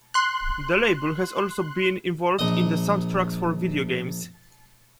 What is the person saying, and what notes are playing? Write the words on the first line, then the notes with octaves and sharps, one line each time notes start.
The label has also been involved in the soundtracks for videogames.
C6 F#6
A#1 D#5